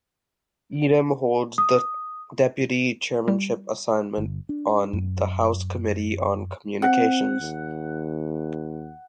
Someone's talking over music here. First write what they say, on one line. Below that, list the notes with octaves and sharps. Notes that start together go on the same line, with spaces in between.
Idem holds the deputy chairmanship assignment on the House committee on Communications.
D#6
G3
G1
D4
F#2
C4 F#5
D#2